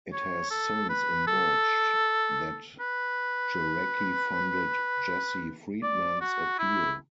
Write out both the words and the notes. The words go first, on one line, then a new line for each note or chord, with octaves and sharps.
It has since emerged that Jarecki funded Jesse Friedman's appeal.
C#5
A4
B4
A4
B4
D5
F#4
E4